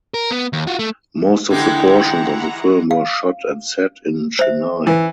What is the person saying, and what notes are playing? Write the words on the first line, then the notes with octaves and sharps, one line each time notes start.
Most of the portions of the film were shot and set in Chennai.
A#4
B3
D#2
F4 F#4
A3
D3 E3 G#3 E4 G4 F#5 G5 A#5
F5
C5 E5
E3